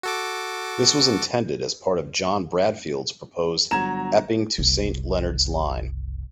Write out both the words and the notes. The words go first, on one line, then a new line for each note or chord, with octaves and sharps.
This was intended as part of John Bradfield's proposed Epping to Saint Leonards line.
F#4 A4 D6
G1 F#3 A#5 G#6 E7
F#1 C2